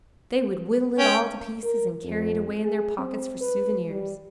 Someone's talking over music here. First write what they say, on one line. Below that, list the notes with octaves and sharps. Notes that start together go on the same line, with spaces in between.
They would whittle it all to pieces, and carry it away in their pockets for souvenirs.
C#4 G5
A#4
F2
G#4
C4
B4
G3